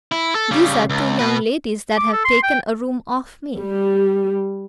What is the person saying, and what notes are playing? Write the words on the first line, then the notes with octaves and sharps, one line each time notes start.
These are two young ladies that have taken a room off me.
E4
A4
C#3 G3
C#2
B2 B4
D6
A4
C6
G5
G3